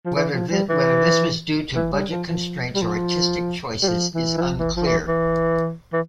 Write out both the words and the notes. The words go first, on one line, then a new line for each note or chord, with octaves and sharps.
Whether this was due to budget constraints or artistic choices is unclear.
F3
E3
F3
G3
E3
E3
G3
F3
F3
G3
F3
G3
F3
E3
E3
F3
E3
F3
E3
E3
E3